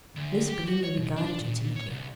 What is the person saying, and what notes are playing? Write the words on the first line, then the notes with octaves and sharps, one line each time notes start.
Miss Belinda regarded her timidly.
D2
G4
F#4
C#5
B2
D4
A#2
A#2
C#5
C2